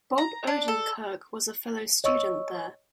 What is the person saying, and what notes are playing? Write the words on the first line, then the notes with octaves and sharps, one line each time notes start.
Bob Odenkirk was a fellow student there.
A#5
D4
A4
C#5 D#5 C#6 E6